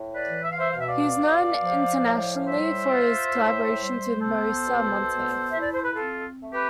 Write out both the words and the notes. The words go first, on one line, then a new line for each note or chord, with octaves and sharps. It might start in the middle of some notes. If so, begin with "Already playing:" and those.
He is known internationally for his collaborations with Marisa Monte.
Already playing: A2
B4 D5
E3
E5
F5
C5 E5
B2 F5
E5
D5 F5
B2
F3
A2
G3 C5 E5
F4
A2
G3
B3 A4 C5
B2
B3
E4 E5
D5
C5
B4
C4 F4 A4
A3
G4 B4